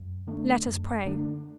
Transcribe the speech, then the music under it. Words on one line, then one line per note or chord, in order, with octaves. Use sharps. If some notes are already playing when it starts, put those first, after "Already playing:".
"Let us pray."
Already playing: F#2
D3 A3 D4
F#2
D3 A3 D4